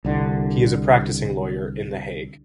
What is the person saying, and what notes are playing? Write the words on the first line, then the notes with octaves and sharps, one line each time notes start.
He is a practising lawyer in The Hague.
C2 D3